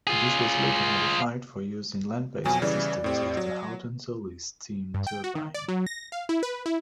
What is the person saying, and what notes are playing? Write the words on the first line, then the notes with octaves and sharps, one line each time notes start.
This was later modified for use in land-based systems as the Howden-Zoelly steam turbine.
F4 G#4
F2 B2 F#3 G#5
C#3 E3 G3 D5
A2 C4 G4
F#3
G2
G5
F#4
D#3
D5
F#3
A#6
F5
E4
B4
E4